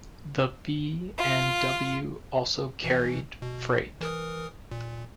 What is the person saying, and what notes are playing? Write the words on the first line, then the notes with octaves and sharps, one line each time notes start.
The B and W also carried freight.
F4
B2 E3
B2
E3 A#4 D#6
A#2